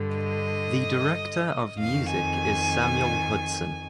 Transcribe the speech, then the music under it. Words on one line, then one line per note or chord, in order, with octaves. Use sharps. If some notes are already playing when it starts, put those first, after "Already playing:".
The Director of Music is Samuel Hudson.
Already playing: G2 D3
D#5
F2 D#3 F5
G#5